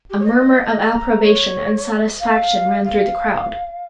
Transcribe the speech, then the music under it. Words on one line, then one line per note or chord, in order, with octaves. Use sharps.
A murmur of approbation and satisfaction ran through the crowd.
G4
C#5
D#5
A#5
C#5
F5
F5